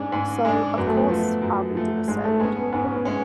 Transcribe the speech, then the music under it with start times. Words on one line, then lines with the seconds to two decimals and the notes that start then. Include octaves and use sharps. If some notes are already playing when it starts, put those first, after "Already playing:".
So, of course, I'll be devastated.
Already playing: G#2 G#3 C#4 D4
0.12 G#2
0.45 G#3 D4
0.77 F#2 B3
0.87 A3
0.97 B3
1.09 F3 A3
1.42 F#2
1.75 F3 A3
2.08 G#2 G#3
2.24 A3
2.40 G#3 B3 C#4
2.57 B3
2.72 G#2 B3
2.84 C#4
2.96 B3
3.05 G#3 C#4